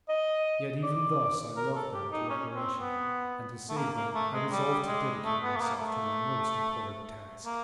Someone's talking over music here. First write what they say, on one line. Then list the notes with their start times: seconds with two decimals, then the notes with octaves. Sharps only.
Yet even thus I loved them to adoration; and to save them, I resolved to dedicate myself to my most abhorred task.
0.09 D#5
0.83 D5
1.57 A#4
1.75 A4
1.94 G4
2.12 D#4
2.30 C#4
2.55 C4
2.79 B3
3.69 A3
3.77 A#3
3.96 A#3
4.15 A3
4.33 G#3
4.51 G3
4.87 G#3
5.25 A3
5.43 B3
5.56 A3
5.61 A#3
5.80 A3
7.45 A#3